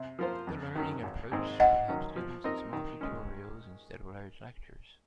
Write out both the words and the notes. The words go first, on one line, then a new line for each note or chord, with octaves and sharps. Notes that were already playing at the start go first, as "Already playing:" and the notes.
The learning approach would have students in small tutorials instead of large lectures.
Already playing: C3
F3 A#3 F4 C5
F2
D#3 F#3 C#4
G#1
G#2 D#3 G#3 C4
G#2 D#5 F#5
D#3 F#3 C#4
F3
C4 D#4 A#4 D#5
D#3
G#3 C#4